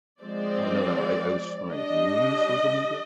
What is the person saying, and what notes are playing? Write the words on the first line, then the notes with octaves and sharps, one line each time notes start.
Oh, no, no. I I was just wondering, do you use social media?
F3 G#3 C4 D5
G3 D4 D#5